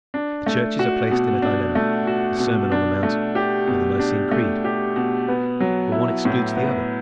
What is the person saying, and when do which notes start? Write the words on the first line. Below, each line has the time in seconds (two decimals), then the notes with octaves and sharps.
The churches are placed in a dilemma: the Sermon on the Mount or the Nicene Creed--the one excludes the other.
0.14 D4
0.46 A3
0.79 F#4
1.11 B2
1.42 D4
1.75 A3
2.07 F#4
2.39 B2
2.72 D4
3.03 A3
3.35 G4
3.67 B2
3.99 D4
4.31 A3
4.64 G4
4.96 B2
5.28 B3
5.60 F#3
5.92 E4
6.25 A2
6.56 B3